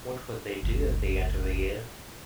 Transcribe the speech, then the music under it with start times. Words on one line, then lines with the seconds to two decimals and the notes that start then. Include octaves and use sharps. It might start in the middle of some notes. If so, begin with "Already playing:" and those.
What would they do at the end of a year?
0.63 F#1 C#2